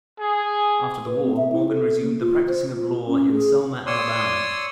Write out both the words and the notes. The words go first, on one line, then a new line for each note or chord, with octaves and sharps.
After the war, Morgan resumed the practicing of law in Selma, Alabama.
G#4
B4
C4
E5
E4
A4
A#3
F4
C5
F4
C#4
G#4
C#5 D5 C6 D#6 E6